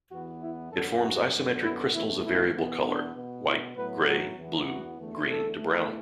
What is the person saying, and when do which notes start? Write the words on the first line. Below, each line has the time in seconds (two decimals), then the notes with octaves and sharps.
It forms isometric crystals of variable color: white, grey, blue, green, to brown.
0.11 E2 E3 B3 F#4
0.41 E4
0.73 F#2 D3 B3 A4
1.02 F#4
1.33 F#2 D3 B3
1.64 E4
1.93 E2 B2 A3 E4
2.24 E4
2.54 E2 B2 B3
2.85 D4
3.15 B2 B3
3.45 E4
3.75 A2 F#3 B3 B4
4.07 F#4
4.37 E2 E3 B3
4.67 F#4
4.98 E2 D3 A3
5.28 A4
5.58 E2 E3 A3